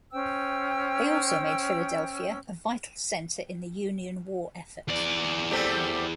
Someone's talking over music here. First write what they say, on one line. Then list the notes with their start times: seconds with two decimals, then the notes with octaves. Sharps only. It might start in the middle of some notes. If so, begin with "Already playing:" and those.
They also made Philadelphia a vital center in the Union war effort.
0.12 C#4 C5 G5 E6
4.88 E2 D5
5.51 G3 A3 C4